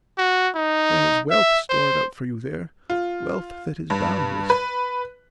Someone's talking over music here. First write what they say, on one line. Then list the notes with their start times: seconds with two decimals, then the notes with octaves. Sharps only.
There is wealth stored up for you there--wealth that is boundless!
0.18 F#4
0.55 D#4
1.31 E5
1.70 C5
2.90 F4
3.90 G2
4.50 B4